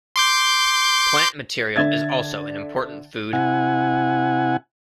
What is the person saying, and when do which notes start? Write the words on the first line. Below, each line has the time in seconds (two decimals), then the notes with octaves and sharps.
Plant material is also an important food.
0.16 C6 D6 G6
1.76 D3 E5 G#6 A6
3.33 C3 E4 F#5 G#5